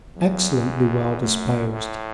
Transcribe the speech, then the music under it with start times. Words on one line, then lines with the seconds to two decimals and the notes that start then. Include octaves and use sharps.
"Excellently well disposed."
0.16 E2 F#3
1.20 F#2 A3
1.72 A2